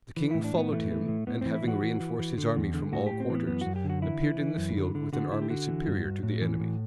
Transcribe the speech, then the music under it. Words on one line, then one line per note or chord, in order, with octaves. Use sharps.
The king followed him, and having reenforced his army from all quarters, appeared in the field with an army superior to the enemy.
E3
A2 E4
D4
A2 B3
E3 A3
E3
A2
A2 B3
E3 C4
E4
E3 F#4
E3
E3
E3
D3
E2
D3
A2 F#4
A2 G4
C4
E3 B3
F#2 B3
F#2 F#4
G4
D3
F#4
E3 E4
E3
E3
F#2
D3
D3
D3 F#4
D3 E4
G4
D3 F#4
E3
G2
G2
A2
E3
A2